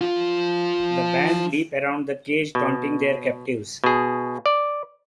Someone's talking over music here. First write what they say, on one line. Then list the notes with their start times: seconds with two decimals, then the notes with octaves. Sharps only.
The band leap around the cage taunting their captives.
0.01 F3 F4
2.55 B2
3.84 B2 G#4
4.46 D5